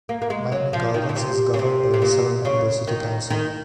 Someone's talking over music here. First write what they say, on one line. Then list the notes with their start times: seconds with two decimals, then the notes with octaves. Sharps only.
Miami Gardens is governed by a seven-member City Council.
0.09 A#3
0.22 A#3
0.30 G#3
0.52 F#3
0.73 F3
0.94 D#3
1.09 A#2
1.16 C3
1.54 C#3
1.59 C3
1.94 C3
2.02 A#2
2.45 C#3
2.87 D#3
3.30 D#3